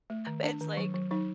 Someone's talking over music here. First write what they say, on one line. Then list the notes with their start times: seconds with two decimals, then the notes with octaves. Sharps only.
it's like
0.10 A3
0.27 D#3
0.44 D4
0.61 D#3
0.77 F#3
0.94 F#3
1.11 F#3 D#4